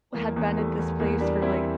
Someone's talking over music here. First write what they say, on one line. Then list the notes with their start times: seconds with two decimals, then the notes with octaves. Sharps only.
had been at this place for like
0.14 E2 A#3
0.36 E2
0.57 G3 A3
0.79 E2
1.00 E2 A#3
1.21 G3 A#3 D4
1.42 G3 C4 E4